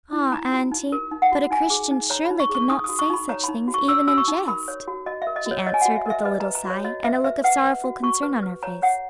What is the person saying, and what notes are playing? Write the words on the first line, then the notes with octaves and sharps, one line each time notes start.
"Ah, auntie, but a Christian surely could not say such things even in jest," she answered, with a little sigh, and a look of sorrowful concern on her face.
E4
D#4 A#5
F#4
D#4
A#4
D#4
F#5
F#4
D#4 G#5
G#4
D#4
C#5 A#5
B5
D#4
C#6
G#4
C#6
D#4 D#6
F#4 D#6
C#6
D#4 B5
C#5 A#5
D#4 B5
F#4
C#6
C#5 E6
F#4 E6
C#6
D#4
A#4 B5
C#5
F#4
F#4 D#5
E5
A#4
D#5
F#4
C#5
C#5 D#5
G#5
F#4 F#5
E5
A#4 D#5 E5
B4 D#5
B4 A#5
A#5
F#4
C#5
F#4 D#5
B4 E5
B4 E5
B4 F#5
B4
F#4
F#4 C#6
B4
B4
C#5 A#5
C#5 F#5